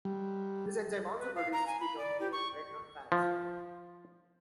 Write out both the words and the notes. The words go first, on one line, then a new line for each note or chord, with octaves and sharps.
This enzyme also produces ketones during the breakdown of fats.
G3
B4
F5
A#5
G#5
B5
D5
G4
C#6
F3